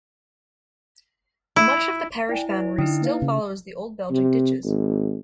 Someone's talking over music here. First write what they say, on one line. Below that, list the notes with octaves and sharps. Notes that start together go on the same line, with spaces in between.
Much of the parish boundary still follows the old Belgic ditches.
E4
E4 D5 G5 G#5
E4 B4 D5 G#5
D3 D#4 E4 G5 D#6
A#3 B4 F5
C#3
C3
G#1